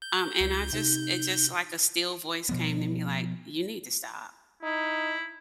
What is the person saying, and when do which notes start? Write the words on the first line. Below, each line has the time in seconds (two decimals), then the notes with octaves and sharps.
Um, and I just it just like a still voice came to me, like, "You need to stop."
0.02 G6
0.41 C#2
0.73 C3 D#4
2.49 B2 F3 B3
4.63 D#4 E4